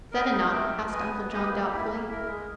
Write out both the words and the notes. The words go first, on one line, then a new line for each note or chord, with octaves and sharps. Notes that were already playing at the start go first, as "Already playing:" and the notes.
"Is that enough?" asked Uncle John, doubtfully.
A#4 D#5 G5
D#4
A#4 E5 G5
G4
B4 D#5 G#5
B3
D#4 G4 B4 D#5
A#3
E4 G4
A#3
E4 A#4
G#3